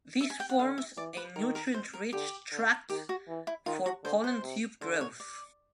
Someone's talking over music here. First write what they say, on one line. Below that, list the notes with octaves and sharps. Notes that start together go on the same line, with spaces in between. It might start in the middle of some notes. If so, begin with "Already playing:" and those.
This forms a nutrient rich tract for pollen tube growth.
E5
G#5
G5
F#5
D3 F5
E5
E3 D5
B4
D#3 A#4
A#4
C5
A#4
D3 G4
D3
D#3 G4
F#4
E3
E4
D#3 F4
F#4
D3 C5
C5
C3
D3 C5
C#5
D5